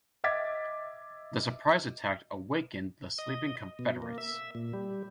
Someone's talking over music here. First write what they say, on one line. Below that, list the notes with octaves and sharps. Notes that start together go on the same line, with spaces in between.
The surprise attack awakened the sleeping Confederates.
D#5 E5 D6 G#6 A6 B6
D#5
B2
A#3
E5
A#2
G3